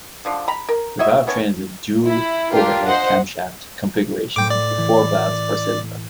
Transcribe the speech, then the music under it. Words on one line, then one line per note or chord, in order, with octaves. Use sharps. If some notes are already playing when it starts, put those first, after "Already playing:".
The valve train is a dual overhead camshaft configuration with four valves per cylinder.
D3 F3 D4
A#5 B5
A#4
E4 F#4 D#5 E5
A3 B3 C#4 C#5
E4
D4 F4 G4 A#4
C5 D#5 F#5
A2 C5 G5 D6 A#6
D5
E3